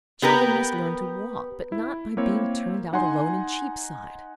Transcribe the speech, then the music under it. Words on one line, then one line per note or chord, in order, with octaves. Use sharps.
Children must learn to walk, but not by being turned out alone in Cheapside.
B3 G4 A#4 B4
E4
A#3 C4 E4 C#5
D#4 F#5 G#5 C6